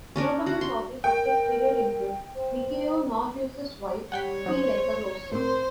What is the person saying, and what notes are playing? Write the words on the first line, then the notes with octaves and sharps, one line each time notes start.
Notable talkies of this period include Mikio Naruse's Wife, Be Like A Rose!
C#4 D4 A#4
F#4 F#5
C6
A#4 G5
C5
G3 C#5 F#5 G5 B6
F#3 D#4 C5
A2 C4 A#4 C5